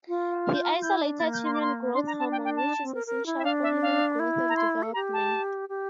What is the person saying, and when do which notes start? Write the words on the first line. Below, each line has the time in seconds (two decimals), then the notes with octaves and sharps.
He isolated Human Growth Hormone, which is essential for human growth and development.
0.08 F4
0.45 F6
0.55 G6
0.64 F6
0.82 E4 G6
1.02 D4
1.20 A#3 A6
1.33 G6
1.45 C6
1.54 D6
1.62 C6
1.94 D4 C6
2.07 A#5
2.19 A5
2.32 G5
2.45 G5
2.57 A5
2.83 C4
2.95 A#4
3.07 A#4
3.26 E4
3.39 E5
3.44 D4 F5
3.63 E5
3.82 F5
4.20 E4
4.49 A#5
4.57 C6
4.83 A4
4.94 G4 A#5
5.13 A5
5.69 G4